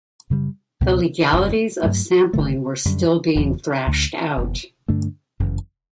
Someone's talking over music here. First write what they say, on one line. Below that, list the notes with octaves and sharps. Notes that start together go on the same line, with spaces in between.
The legalities of sampling were still being thrashed out.
F#2 C#3 G3
C#2 B2 G3 B3
F#1 E2 C#3
G2 F#3 A3
F#1 F#2 D3 A3
F#2 D3 G3
E1 E2 B2 F#3
D2 D3 A3
F#1 E2 B2
G2 D3 A3 D4
G1 F#2 C#3 E3